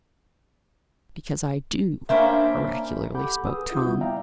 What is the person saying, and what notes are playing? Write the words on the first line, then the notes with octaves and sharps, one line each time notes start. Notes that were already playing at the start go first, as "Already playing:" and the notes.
"Because I do," oracularly spoke Tom.
A#3 C#4 D4 C5 E5 B5
G4 A4 F#5 B5 D6 G6
G#4 B4 D#6 E6
C#2 D#4 F4 F#5 D#6 G6
G3 B3 C4 E4
D5 E5 F5 G5 A#5